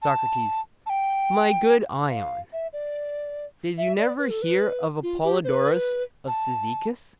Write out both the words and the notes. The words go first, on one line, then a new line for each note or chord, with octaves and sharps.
SOCRATES: My good Ion, did you never hear of Apollodorus of Cyzicus?
A5
A5
G5
F5
E5
D5
E5
D5
B4
A4
B4
F4
G4
C5
B4
A5